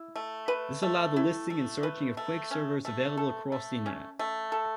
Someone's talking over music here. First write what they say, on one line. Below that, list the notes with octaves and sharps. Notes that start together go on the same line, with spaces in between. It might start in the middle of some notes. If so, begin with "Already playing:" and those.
This allowed the listing and searching of Quake servers available across the Internet.
Already playing: E4
A3
B4
A3
E4
A3
B4
A3
C#4
A3
A4
A3
C#4
A3
A4